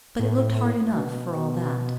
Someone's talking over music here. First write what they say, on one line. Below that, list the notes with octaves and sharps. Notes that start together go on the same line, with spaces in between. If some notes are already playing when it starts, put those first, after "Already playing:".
But it looked hard enough, for all that.
A2
B2